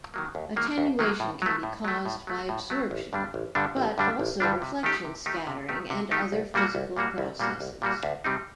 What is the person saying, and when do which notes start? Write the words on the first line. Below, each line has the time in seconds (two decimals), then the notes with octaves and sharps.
Attenuation can be caused by absorption, but also reflection, scattering, and other physical processes.
0.14 D#3 F#3 A#3
0.35 D#2
0.56 D#3 F#3 A#3
0.78 D#2
0.99 D#3 F#3 A#3
1.20 A2
1.42 F#3 A3
1.63 A2
1.85 F#3 A3
2.05 A2
2.27 F#3 A3
2.49 A2
2.70 F#3 A3
2.91 A1
3.13 G2 D3 G3 D4
3.34 A1
3.55 G2 D3 G3 D4
3.76 A1
3.98 G2 D3 G3 D4
4.19 A1
4.40 G2 D3 G3 D4
4.62 C3
4.83 D#3 A3 D#4 G4
5.04 C3
5.26 D#3 A3 D#4 G4
5.47 C3
5.69 D#3 A3 D#4 G4
5.90 C3
6.11 D#3 A3 D#4 G4
6.32 C2
6.54 A#2 G3 A#3 F#4
6.75 C2
6.96 A#2 G3 A#3 F#4
7.18 C2
7.39 A#2 G3 A#3 F#4
7.60 C2
7.82 A#2 G3 A#3 F#4
8.03 D2
8.24 C3 G3 C4 D#4